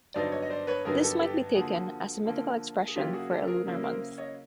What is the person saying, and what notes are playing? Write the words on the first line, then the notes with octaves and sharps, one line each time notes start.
This might be taken as a mythical expression for a lunar month.
G2 D3 F#3 B3 D#4 C5 D5
C#5 D#5
D#5
C5 D5
B4 C#5
G2 D3 F#3 B3 D#4 G#4 A#4
G4 A4
G4 A4
D3 F3 A#3 F#4 G#4
D3 F3 A#3
G#4
C#3 F#3 A#3 C#4 E4 F4 G4
F#4 G#4
G4 A4
G#4 A#4
C#3 F#3 A#3 C#4 E4
A#4 C5
C#5 D#5